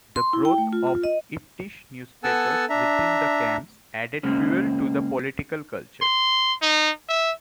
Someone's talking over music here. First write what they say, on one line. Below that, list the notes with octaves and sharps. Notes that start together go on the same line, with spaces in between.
The growth of Yiddish newspapers within the camps added fuel to the political culture.
C6
E4
G5
A3
F4
F4
D#5
B3 A4 F#5 G#5 A5 E6
D4 E5 A#5
C#3 G#3 A#3 C4 C#4
C6
D#4
E5